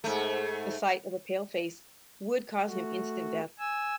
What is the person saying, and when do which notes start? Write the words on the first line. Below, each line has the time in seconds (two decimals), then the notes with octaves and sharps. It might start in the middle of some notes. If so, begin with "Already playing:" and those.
The sight of a pale face would cause him instant death.
0.04 G#2 A3
2.66 A3 F#4
3.59 G#5 E6